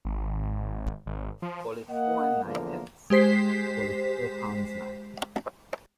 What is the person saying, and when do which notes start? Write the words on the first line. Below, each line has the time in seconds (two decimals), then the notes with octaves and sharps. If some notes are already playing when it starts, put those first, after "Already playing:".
Call it four and ninepence — call it four pounds nine.
0.05 G#1
1.06 G#1
1.42 F3
1.90 A#3 A#4 D#5 F#5
2.44 E2 D3 F3 A#3
3.10 G#3 G4 C5 B6 C7